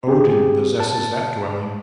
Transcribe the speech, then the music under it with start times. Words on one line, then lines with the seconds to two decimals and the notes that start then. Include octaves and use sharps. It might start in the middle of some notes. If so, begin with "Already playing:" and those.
Odin possesses that dwelling.
0.07 C4 G4 G#4
0.80 A5